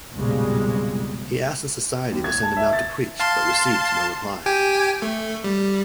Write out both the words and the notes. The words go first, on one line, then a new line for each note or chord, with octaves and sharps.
He asked the Society to send him out to preach but received no reply.
B1 F2 A#2 C#3 G3 G#3
D#2
G#6
A5
E5
A6
F5 A5 C6
G4 G5 G#5
A3
G3